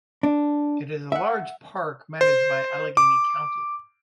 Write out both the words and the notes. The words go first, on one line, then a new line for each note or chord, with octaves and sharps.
It is a large park managed by Allegheny County.
D4
E5 F#5
C5
D6